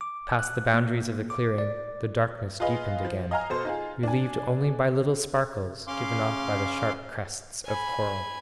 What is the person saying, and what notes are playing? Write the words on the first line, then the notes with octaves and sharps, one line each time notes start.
Past the boundaries of the clearing, the darkness deepened again, relieved only by little sparkles given off by the sharp crests of coral.
D6
F#6
A#3
D6
D5
F4 G#4 B4 D#5 F5
F3
D#5 F5 G#5 A#5 F6
B2 A4 C5
D#4 F4 G#4
D4 G#5
C#3 C#4 F5 C6 D6
G#5 B5